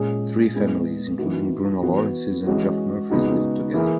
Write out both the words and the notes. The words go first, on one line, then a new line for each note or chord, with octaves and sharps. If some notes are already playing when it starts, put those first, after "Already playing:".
Three families, including Bruno Lawrence's and Geoff Murphy's, lived together.
Already playing: A#2 G#3 C#4 G#4
G#3 B3 E4 G#4
E3 A#3 D#4 F#4
E3 B3 F#4
E3 G#3 C#4 F#4
C#3 G#3 B3 D#4 F#4
E3 A#3 E4 G#4